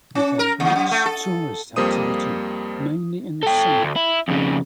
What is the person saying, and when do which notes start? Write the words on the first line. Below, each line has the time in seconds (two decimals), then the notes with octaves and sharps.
It has much tourist activity mainly in the summer.
0.15 C#4
0.39 A#4
0.60 D#2
0.76 F#2
0.91 A3
1.06 A4
1.76 F2 G3 A#3 C5 D#6 D#7
3.43 A4 G5
3.82 D2
3.96 E4
4.28 F2 C#3